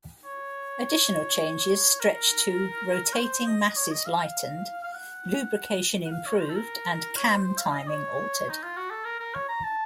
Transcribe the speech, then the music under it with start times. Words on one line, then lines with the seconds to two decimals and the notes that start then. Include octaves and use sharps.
Additional changes stretch to "rotating masses lightened, lubrication improved and cam timing altered".
0.24 C#5
2.00 A#4
3.13 C#5
3.17 C5
3.47 D#5
3.77 C#5
3.92 D#5
4.06 F5
4.20 F5
4.84 F5
4.94 F#5
6.05 F#5
6.11 F5
6.26 C#5
6.35 A#4
6.40 C5
6.49 A4
6.56 A#4
7.16 C#5
7.29 C5
7.43 C5
7.58 F5
7.72 D#5
7.88 C#5
8.49 D#4
8.63 F4
8.77 F#4
8.90 A4
9.05 A#4
9.20 A#4
9.34 C#5
9.48 A#5
9.64 A5